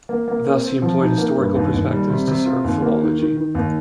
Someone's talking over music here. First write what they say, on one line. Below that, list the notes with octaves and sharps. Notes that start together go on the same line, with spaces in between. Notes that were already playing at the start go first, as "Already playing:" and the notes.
Thus, he employed historical perspectives to serve philology.
A#3
A#3
C4
C4
F3
D#4
A#3
G2
D#2
D#2
G3
C3
C3
F4
D#2
A#3
D#3
D#3
D#3
D#2